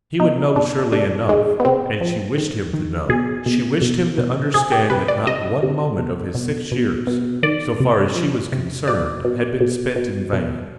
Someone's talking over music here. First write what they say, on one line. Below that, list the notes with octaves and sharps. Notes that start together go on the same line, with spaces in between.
He would know surely enough, and she wished him to know; she wished him to understand that not one moment of his six years, so far as she was concerned, had been spent in vain.
B2 D#4
B2 D4
C3 D4
D#3 G#3
B3
C3 C4
F3
D#3
D#3
B2 G#4
B2
B2
B2
C3 G#4
G4
C3 B4
D5
C3 D#5
C3
B2
B2
B2
B2
D#3 D5
C3
F3
C3
B2 D5
B2
B2
B2
B2